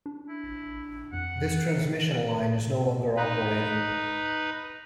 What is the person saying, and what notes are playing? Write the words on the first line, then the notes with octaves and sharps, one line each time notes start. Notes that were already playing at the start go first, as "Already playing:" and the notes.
This transmission line is no longer operating.
D4
E4
F2 F#5
D#4 B4